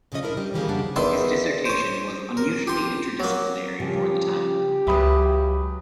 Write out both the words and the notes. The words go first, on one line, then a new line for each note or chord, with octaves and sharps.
His dissertation was unusually interdisciplinary for the time.
A#2 C#3 F3 C#4 D#5
D4 E4 A#4 C5
G3
D#3 E3 G3 A#3 C#4 G#4
F2 C#3 D4 F#5
E2 D#3 E4 A5 C6
C5 C#5
A#4
G4 C6
F#3 A#3
C#3 F3 G3 G4
C#2 F#3 B4 E5 B5 D#6